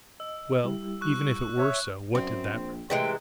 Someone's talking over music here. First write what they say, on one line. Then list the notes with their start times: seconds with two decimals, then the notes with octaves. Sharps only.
Well, even if it were so, what did that prove!
0.20 D#5 E6
0.64 G3 E4 G4
1.01 C#6 F#6
1.58 C#5 E5
2.15 F#2 C4
2.53 A#1
2.90 A2 C3 E3 G#3 G5